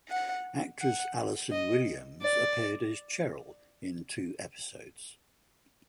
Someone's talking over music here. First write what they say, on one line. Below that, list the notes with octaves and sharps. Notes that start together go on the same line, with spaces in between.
Actress Allison Williams appeared as Cheryl in two episodes.
F#5
F#5
D#5
D5